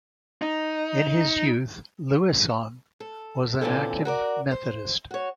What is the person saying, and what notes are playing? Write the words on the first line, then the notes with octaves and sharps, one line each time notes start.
In his youth, Lewisohn was an active Methodist.
D#4
A4
A#2 D3 E3 C4 C#4 A4
F#4 A#4 D5
C5
F#4 C#5